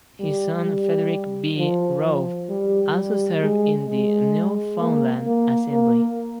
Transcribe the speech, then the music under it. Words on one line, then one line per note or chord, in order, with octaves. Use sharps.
His son Frederick B. Rowe also served in the Newfoundland assembly.
G3
G3
F3
F3
G3
G3
G#3
G#3
A#3
A#3
A#3